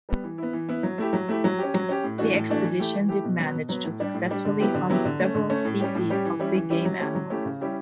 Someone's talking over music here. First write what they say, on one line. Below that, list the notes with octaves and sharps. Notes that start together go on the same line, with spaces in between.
The expedition did manage to successfully hunt several species of big game animals.
G3 B3
E3
B3 E4
E3
B3 E4
F#3
A3 E4 G4
F#3
A3 E4 G4
F#3
C#4 G4
F#3
C#4 G4
A2
E3 A3 D4 F#4
A2
E3 A3 D4 F#4
E3
A3 E4 G4
E3
A3 E4 G4
B2
F#3 B3
B2
F#3 B3
A2
G3 D4 G4
A2
G3 D4 G4
D3
F#3 B3 E4 G4
D3
F#3 B3 E4 G4
D3
A3 C#4
D3
A3 C#4
A2
G3 C#4 G4
A2
G3 C#4 G4
E3
G3 C#4 E4 G4
E3
G3 C#4 E4 G4
F#3
A3 C#4 E4 G4
F#3
A3 C#4 E4 G4
C#3
G3 C#4 E4 G4